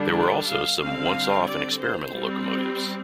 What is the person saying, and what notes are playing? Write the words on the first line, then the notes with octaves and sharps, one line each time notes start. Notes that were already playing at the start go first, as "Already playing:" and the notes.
There were also some once-off and experimental locomotives.
Already playing: D3 G3 D4
D5
F5
D3 G3 C4 F5
D5
C5
G3 C4